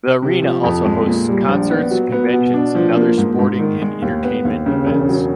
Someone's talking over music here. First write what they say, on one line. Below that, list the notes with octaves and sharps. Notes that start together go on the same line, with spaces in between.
The arena also hosts concerts, conventions and other sporting and entertainment events.
C3
F3
F2
G#3
A#2
G3
A#1
B3
F#3
B3
B2
D4
F3
A#3
G#2
G#2
D#3
G#3
D#2
B3
D#2
C#3
E1
F#3